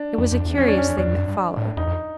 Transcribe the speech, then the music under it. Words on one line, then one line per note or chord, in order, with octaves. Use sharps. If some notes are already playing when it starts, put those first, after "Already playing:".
It was a curious thing that followed.
Already playing: D4
F2
F2
E2
F2 C#4
E2 D4
F2 C#4
C#4
E2 D4
F2
F#2
G2
A2
E2 D#4
F2